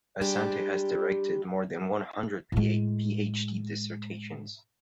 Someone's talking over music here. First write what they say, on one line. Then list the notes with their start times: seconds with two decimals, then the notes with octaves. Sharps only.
Asante has directed more than one hundred PhD dissertations.
0.21 G3 G#3 D4 G4
2.52 A2 G#3